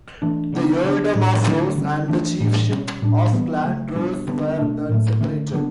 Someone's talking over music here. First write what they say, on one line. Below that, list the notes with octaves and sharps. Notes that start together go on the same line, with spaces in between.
The earldom of Ross and the chiefship of Clan Ross were then separated.
E3 A3 D4
C#3 F#3 B3 D4
C#3 F#3 B3 D4
A2 G3 D4
D3 F#3 A3 D4
D3 G3 C#4
E3 A3 D4
A2 E3 G3 D4
B2 G3 C#4
A2 G3 D4
E3 G3 B3
C#3 F#3 A3
B2 G3 B3 D4
D3 G3 B3 D4
B2 A3 D4
A2 F#3 A3
D3 A3 C#4
C#3 F#3 B3 D4